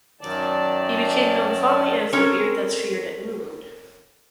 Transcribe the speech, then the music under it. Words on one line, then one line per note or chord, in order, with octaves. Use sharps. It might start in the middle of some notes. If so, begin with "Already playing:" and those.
He became known fondly as "the beard that's feared" at New Road.
F#2 D#3 F#3 D5 A5
C4 C#4 F#4 A4 A#4 C#5